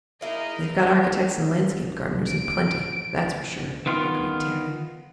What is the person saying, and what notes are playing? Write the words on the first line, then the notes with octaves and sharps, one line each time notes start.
"They've got architects and landscape gardeners in plenty, that's sure," agreed Terry.
A#3 D#4 E4 G#4 A#4 D#5
D4 G4 A4 C5
D7
D#3 B3 F4